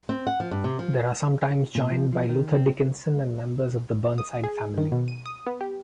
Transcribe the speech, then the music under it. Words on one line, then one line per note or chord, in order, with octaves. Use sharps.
They are sometimes joined by Luther Dickinson and members of the Burnside family.
C4
F#5
F3
G2
C3
F3
A#2
F3
F3
D#3
C4
D#6
G#4
D#3
B2
D#7
D#6
B3
G4